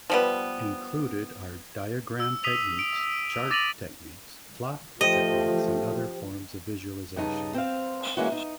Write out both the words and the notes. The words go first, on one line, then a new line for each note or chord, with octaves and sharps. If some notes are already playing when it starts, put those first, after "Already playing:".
Included are diagram techniques, chart techniques, plot techniques, and other forms of visualization.
F3 G3 B3
E6
D#6 B6 D#7 F7
D7
D6 A6 A#6 D#7 F7 F#7
F3 A3 G4 C5 D#5 G5
G2 C#3 D#4 A5
C4 C5 F5
E3 G#3 A#3 C#4 E4 F#4
D#4